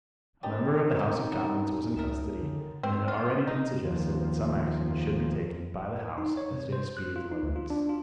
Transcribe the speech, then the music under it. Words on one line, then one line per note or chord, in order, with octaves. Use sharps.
A member of the House of Commons was in custody, and it had already been suggested that some action should be taken by the House as to his speedy deliverance.
F#2 D#4 G4 A5
C3 D#4 G4
A2 F#3 D#5
C#2 A#4 E5 A5
D3
C4
F4
D#4
D#2 F3
D#4
C#5
C3
C5
F#6
F4
D#4
D2
F4
D4
F4